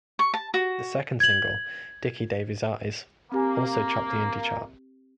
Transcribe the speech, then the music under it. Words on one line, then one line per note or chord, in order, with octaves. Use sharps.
The second single, "Dickie Davies Eyes", also topped the indie chart.
C#6
A5
F#4
G#6 F#7
A#3 C4 G4 G#5